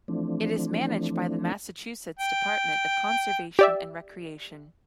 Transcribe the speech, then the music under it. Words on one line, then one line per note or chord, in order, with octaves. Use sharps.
It is managed by the Massachusetts Department of Conservation and Recreation.
E3 F3 A3 C4 D4
G5
G4 D5 E5